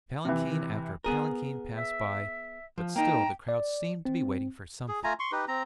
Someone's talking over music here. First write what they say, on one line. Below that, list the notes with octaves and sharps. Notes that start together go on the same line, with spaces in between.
Palanquin after palanquin passed by, but still the crowd seemed to be waiting for something.
C3 E3
B3 G#4 A#4
E5
F3
A#3 D#4 G5 A5 A#5
D5
C4
G#4
A3 F4 G#5 A#5
C6 C#6
D#4 G4 B4
C4 A#5